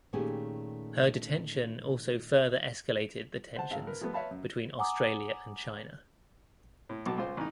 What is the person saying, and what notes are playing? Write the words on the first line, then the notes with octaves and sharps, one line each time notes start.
Her detention also further escalated the tensions between Australia and China.
A#2 D#3 A3 C#4 G4 G#4
C5 F#5 A5
G#1 F5
A#4 B4
F3 G3 A3 B3
B4 C#5 E5 F5 A5 B5
F#2
F#5 G#5 A#5 D6 D#6
A2
B1 B2 A5 D6
C#2 F4 C5
A1 D#4